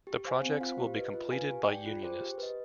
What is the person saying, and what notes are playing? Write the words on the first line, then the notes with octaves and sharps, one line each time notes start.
The projects will be completed by unionists.
G4
C5 F5 G#5
C4
F4 C5 F5
G4
B4 D#5
F4
B4 F5 G#5
G4
D5 G5
F4
G#4 C5 G5
G4
B4
D#5